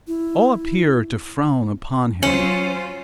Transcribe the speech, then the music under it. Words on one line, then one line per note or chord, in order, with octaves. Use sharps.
All appear to frown upon him.
E4
F#3 C#4 F4 C5